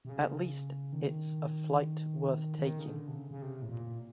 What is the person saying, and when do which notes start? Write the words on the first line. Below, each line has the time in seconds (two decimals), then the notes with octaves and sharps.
At least it's a flight worth taking.
0.05 C3
0.09 C#3
0.92 D#3
2.59 D#3
2.79 C#3
2.87 D3
3.08 C3
3.14 C#3
3.31 C#3
3.42 C3
3.62 A2
3.69 A#2